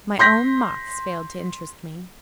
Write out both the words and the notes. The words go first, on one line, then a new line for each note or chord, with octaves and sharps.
My own moths failed to interest me.
C6 G6 A#6 B6